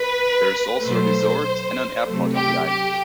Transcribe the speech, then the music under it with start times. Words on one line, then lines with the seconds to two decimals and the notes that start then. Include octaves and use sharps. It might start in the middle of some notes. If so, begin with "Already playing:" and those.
There is also a resort and an airport on the island.
Already playing: B4
0.82 B2 F#3 A3 C5
2.05 C3 F#3 A3
2.35 G4
2.65 G4